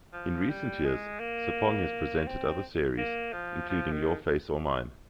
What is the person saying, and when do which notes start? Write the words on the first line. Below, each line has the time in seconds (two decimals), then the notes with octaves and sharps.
In recent years, Sarpong has presented other series, including Your Face or Mine?
0.13 F3
0.49 G3
0.85 G#3
1.20 A#3
2.27 C4
2.98 A#3
3.33 F3
3.69 F3
3.92 D#3